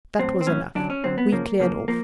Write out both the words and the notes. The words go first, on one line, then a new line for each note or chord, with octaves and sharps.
That was enough: we cleared off.
A2 F#3 C4
C4
A2 F#3 C#4
F#2 D3 F#3 D4
C#4
F#2 D3 F#3 C4
B3
F#2 C#3 F3 A#3
F#2 C#3 F3 A#3
F3 A#3